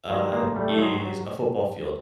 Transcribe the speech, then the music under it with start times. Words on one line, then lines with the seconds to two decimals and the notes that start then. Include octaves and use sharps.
uh, is a football field.
0.10 D#3 F#3 G#3
0.33 G#1 G#3 A#3
0.56 F#3 G3 A3
0.69 A3
0.78 D#3 F#3 G#3
1.01 F#3